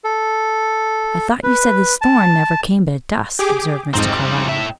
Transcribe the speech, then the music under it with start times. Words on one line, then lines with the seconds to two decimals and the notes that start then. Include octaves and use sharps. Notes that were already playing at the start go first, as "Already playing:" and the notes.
"I thought you said this Thorn never came but at dusk," observed Mr. Carlyle.
0.04 A4
1.43 B4
2.01 A5
3.39 G4 G#4 D6
3.94 F2 G#2 G3 C4 D#4
4.47 A2 E5